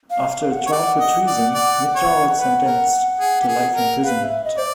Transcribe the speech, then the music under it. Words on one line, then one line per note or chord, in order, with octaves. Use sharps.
After a trial for treason, Mitra was sentenced to life imprisonment.
F5
F5
F#5
C#5
D5 F#5
D#5
D5
D5
C#5
B4
A#4
G#4
G4
G#4
A#4
B4 F5
E5
D#5
C5 D5